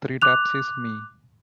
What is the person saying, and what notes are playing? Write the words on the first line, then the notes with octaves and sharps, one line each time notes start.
Three taps is me.
D6 F#6 F7